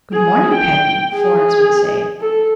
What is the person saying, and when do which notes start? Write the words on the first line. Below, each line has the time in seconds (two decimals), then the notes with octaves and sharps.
"Good morning, Peggy!" Florence would say.
0.13 G#4
0.55 G5
1.14 G#4
2.21 A4